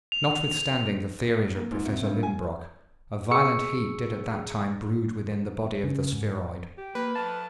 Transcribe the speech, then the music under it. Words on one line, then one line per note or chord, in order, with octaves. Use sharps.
Notwithstanding the theories of Professor Liedenbrock, a violent heat did at that time brood within the body of the spheroid.
F7
A#3
G#2
C3
G2
G#5
G#4 C#6 E6 C#7
C#3
G#2
G4
A#3 B4
A4 F5 A5